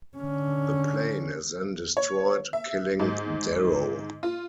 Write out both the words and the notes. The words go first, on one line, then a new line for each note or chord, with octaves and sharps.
The plane is then destroyed, killing Darrow.
D3 C#4
C#5
E5
G#2
F4